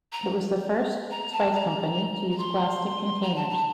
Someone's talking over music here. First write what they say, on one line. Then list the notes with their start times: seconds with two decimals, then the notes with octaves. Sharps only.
It was the first spice company to use plastic containers.
0.12 A#5
1.11 A#5
1.32 A5
1.53 A#5
2.31 A#5
2.38 C6
3.22 A#5
3.36 A5
3.50 A5